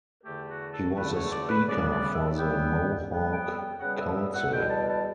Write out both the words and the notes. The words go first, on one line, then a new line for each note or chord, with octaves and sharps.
He was a Speaker for the Mohawk Council.
E2 D3 A3 G4
F#4
A4
E2 D3 A3 B4
C#5
D5
B4
C#3 G3 B3 D5
D5
E5
C#3 G3 B3 G5
C#3 G3 B3
G5
G5
C#3 G3 B3 F#5
E5
E5
F#5
E2 B2 G3 G5
A5
A5